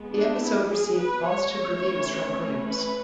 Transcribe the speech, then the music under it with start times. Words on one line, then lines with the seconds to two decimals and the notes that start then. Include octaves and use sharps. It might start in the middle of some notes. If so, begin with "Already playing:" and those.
The episode received positive reviews from critics.
Already playing: G#3 B3
0.13 D4
0.40 E4
0.69 G#4
0.97 B4
1.26 C#5
1.54 E3 A3 C#4
2.67 B4